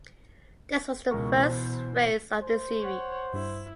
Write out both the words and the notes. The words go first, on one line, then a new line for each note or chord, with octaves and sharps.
This was the first race of the series.
C#2 B2 E3 A#4 C#6
C5
C5
C#5 F#5
G2 E4